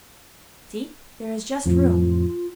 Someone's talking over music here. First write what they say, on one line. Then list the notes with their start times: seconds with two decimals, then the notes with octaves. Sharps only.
"See! there is just room."
1.66 F2 A2 F3 F4